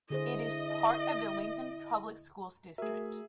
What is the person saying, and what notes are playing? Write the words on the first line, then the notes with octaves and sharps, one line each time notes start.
It is part of the Lincoln Public Schools district.
D3 E4 G#4 C5 D#5
A3 F#4 G#4 A#4 E5